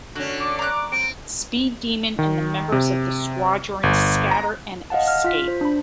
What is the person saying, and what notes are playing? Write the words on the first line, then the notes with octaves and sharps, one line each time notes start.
Speed Demon and the members of the Squadron scatter and escape.
D3 C#4 F#4
D5 C#6 D6
A#5 F#6
C4 D7
D#3
C3
G1
A#5
D#5 F5 F#5 A5
F6
F4 B6
C5
D4 B5